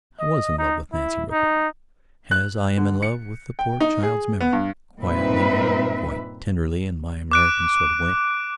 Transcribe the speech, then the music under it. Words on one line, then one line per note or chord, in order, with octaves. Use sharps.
I was in love with Nancy Rufford as I am in love with the poor child's memory, quietly and quite tenderly in my American sort of way.
D#5
D#4
E4
D#4
F#6
D3
C#7
G5
D#4
G#4
B3
G2
G2 A#2 C4 D#4 B4 E5
D6 F#6 D7